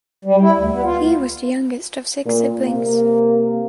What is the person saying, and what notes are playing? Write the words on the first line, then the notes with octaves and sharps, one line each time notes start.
He was the youngest of six siblings.
G3
E4
D2
B3
F4
D2
A#2
C3 A#3